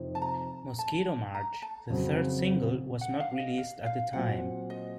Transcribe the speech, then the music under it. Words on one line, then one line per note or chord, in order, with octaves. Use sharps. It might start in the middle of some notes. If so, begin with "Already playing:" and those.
"Mosquito March," the third single, was not released at the time.
Already playing: F2 C3 F3 C4 D#4
A5
A#5
A5
A#5
A5
F2 C#3 F#3 C4
F#5
F5
D#5
F5
F5
A#2 F#3 C4 F4 F#5
D#5